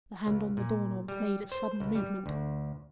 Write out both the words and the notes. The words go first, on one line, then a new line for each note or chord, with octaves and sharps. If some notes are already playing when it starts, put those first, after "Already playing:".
The hand on the door-knob made a sudden movement.
C#2
A#2
G3
C5
C#2
G3
D2